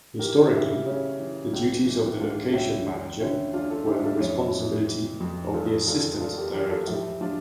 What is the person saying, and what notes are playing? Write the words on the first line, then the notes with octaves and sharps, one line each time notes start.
Historically, the duties of the Location Manager were the responsibility of the Assistant Director.
E3 G4 A#4
C#3 E4 G4
C#3 C#4 E4
E3
C#2
E3
E3 D4 F4
C#2 C#4 E4
E2
D3 C#4 E4
E2 D4 F4
F4 A4
D3 E4 G4
D4 F4
F2 C#4 E4
E3
E3
F2
E2 F4 A4
E2 F4 A4
E2 F4 A4
G4 A#4
E2 G4 A#4
F4 A4
F3 E4 G4
F3 D4 F4